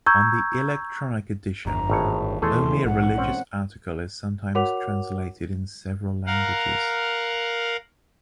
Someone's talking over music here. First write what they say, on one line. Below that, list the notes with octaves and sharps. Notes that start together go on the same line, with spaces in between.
On the electronic edition, only a religious article is sometimes translated in several languages.
A#5 C#6 E6 G6 G#6
G1 A#5
G#1 A2 C#5
D#1 E2 E3 A3 G#4 A4 C6
A#1 G#2 F#5
C4 C#4
F#4 A#4 C#5 F#5 D6 F7
A#4 F5 F#5